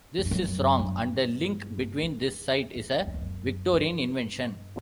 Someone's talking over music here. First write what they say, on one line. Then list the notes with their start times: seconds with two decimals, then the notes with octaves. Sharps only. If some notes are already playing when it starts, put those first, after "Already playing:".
This is wrong and the link between this site is a Victorian invention.
0.19 F2
0.25 G2
0.31 F#2
0.79 G2
1.78 A2
2.02 E2
2.75 F2
3.00 G2
3.07 F#2
3.14 F2
3.21 F#2
3.73 G2